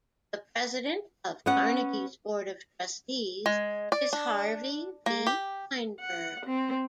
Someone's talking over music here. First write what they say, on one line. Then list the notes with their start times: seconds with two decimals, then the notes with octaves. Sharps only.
The President of Carnegie's Board of Trustees is Harvey V. Fineberg.
1.46 B3 C#4 F#5
3.46 G#3
3.92 D5
4.13 D4
5.06 A#3
5.27 G4
6.01 F#5
6.46 C4